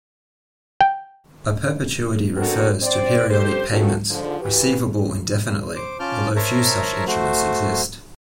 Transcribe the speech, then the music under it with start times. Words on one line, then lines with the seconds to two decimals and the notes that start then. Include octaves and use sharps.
A perpetuity refers to periodic payments, receivable indefinitely, although few such instruments exist.
0.81 G5
2.36 B3 C4 D4 F#4 A4 A#4
2.82 C4 C5 D5
3.30 G2 G4 A4 C5
3.71 D#3 B3 C#4 F4 F#4 A4
4.10 G#2 D3 F3
4.41 E3 F#4 G4 B4
5.76 C5 D6
6.00 C#4 F4 A5 D6 F6 G6
6.36 A#4 C5 C#5 E5 A5 A#5
7.07 A3 F#4 C5